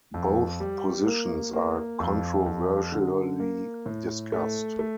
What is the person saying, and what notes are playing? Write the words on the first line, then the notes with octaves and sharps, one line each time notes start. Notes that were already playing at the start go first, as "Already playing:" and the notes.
Both positions are controversially discussed.
F2
G3
A#3
A#3
F2
F2
D3
A#3
A2
A3
A3